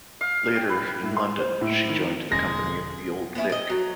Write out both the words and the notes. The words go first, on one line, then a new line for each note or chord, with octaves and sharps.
Later, in London, she joined the company of The Old Vic.
F5
G5
B4
A2
C6
C5
A2
D#3
E1 D3 G#3 A#6
B3 C#4 E4 G#4
C4 D#5
F#3